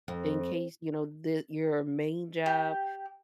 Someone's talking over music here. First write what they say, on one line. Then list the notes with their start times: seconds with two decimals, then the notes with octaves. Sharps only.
in case, you know, that your main job,
0.08 F2
2.46 G4